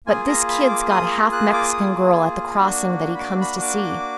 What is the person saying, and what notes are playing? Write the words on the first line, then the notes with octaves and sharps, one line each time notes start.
But this Kid's got a half-Mexican girl at the Crossing that he comes to see.
A#3 F4 G#4 G#5
A#5
B5
D6
D#6
A#5
F#6
D6
D#6
A#3 D4 F#4
B5
D6
B5
D6
D6